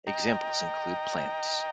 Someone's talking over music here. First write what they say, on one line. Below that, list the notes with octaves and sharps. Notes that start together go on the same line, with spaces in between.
Examples include plants.
D#5 G5 A#5